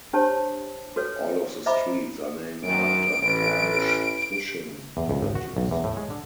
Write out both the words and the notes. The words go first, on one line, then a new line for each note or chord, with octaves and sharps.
All of the streets are named after Cornish fishing villages.
D4 G4 C5 C#5 A5
F#4 A4 B4 C#5
C5 D#5 E5 A#5 B5 D6
F#2 D#3 D7
A1 B4
E2
C#2
G#1
F#4
B1
E2
A2
G#3
D3